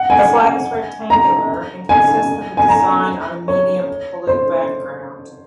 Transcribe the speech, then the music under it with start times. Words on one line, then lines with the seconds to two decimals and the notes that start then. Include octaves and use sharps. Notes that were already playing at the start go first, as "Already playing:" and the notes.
The flag is rectangular, and consists of a design on a medium blue background.
Already playing: F#5
0.10 G#5
1.10 A#5
1.89 G#5
2.57 G#5
2.69 A#5
3.48 C#5
4.27 C5